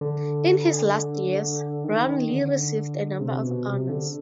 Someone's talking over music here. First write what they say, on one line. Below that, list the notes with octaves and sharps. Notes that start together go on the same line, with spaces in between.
In his last years, Brownlee received a number of honours.
D3
D#3
D#3
D3
C3
B2
C3
D3